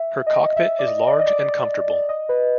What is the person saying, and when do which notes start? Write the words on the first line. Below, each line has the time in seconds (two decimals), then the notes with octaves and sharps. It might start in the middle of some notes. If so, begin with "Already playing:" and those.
Her cockpit is large and comfortable.
Already playing: E5
0.27 D#5
0.57 E5
0.79 D5
0.87 D#5
1.07 D5
1.20 D#5
1.27 D5
2.09 D#5
2.29 B4